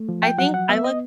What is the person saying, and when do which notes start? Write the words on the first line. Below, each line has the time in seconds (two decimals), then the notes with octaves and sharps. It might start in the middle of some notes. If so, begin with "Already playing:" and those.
I think I look
Already playing: A3
0.09 F3
0.23 G5
0.38 F#3 F#5
0.54 F#5
0.69 B3 E5
0.84 D#5